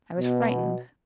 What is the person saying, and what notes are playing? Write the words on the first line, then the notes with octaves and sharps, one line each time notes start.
I was frightened.
B2